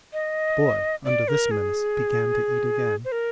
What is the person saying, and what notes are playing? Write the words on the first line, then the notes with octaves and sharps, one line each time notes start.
The boy, under this menace, began to eat again.
D#5
D5
A#4
G#4
C5
A#4